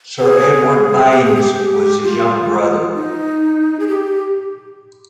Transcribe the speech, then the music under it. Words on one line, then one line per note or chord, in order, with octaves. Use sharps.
Sir Edward Baines was his younger brother.
G#4
G4
G#4
G#4
G4
F4
D#4
G#4
G4